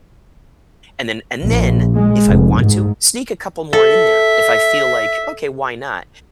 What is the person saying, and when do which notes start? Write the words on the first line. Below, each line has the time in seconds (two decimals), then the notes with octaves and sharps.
and then and then if I want to sneak a couple more in there, if I feel like, "Okay, why not?"
1.43 A#1
1.95 G#3
2.28 F1
2.60 G#2
3.73 A4 E5